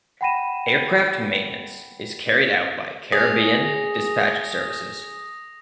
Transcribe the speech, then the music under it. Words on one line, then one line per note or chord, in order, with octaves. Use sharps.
Aircraft maintenance is carried out by Caribbean Dispatch Services.
F#5 G5 B5 A#6 D#7 E7
G#4 D#6 A#6